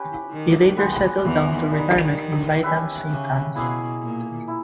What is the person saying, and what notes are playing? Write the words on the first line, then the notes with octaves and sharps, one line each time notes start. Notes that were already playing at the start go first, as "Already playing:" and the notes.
He later settled down to retirement in Lytham Saint Annes.
Already playing: C#4 G4 B4
D#3
G#3 B3 G4 B4
E2 E3
D#3 G3 B3 D#4
C#4 G4 B4 E5
C#3
B2 A#3 E4 G#4
A#2
E4